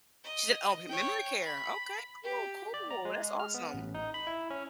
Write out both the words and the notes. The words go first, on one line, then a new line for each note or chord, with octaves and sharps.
She's in oh, me memory care, okay, cool, cool, that's awesome.
D#5
C#5 G5
B5
G4
D5
A#5
G#3
F6
B3
A1
D#4
B5
E4
C#4